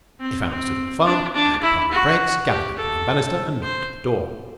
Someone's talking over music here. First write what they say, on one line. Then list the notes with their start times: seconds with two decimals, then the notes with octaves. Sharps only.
He found a suitable farm and, applying the brakes, gathered up William Bannister and knocked at the door.
0.20 C4
0.49 C4
1.06 D4
1.34 D4
1.62 E4
1.91 F#4
2.48 G4
2.77 A4
3.62 C5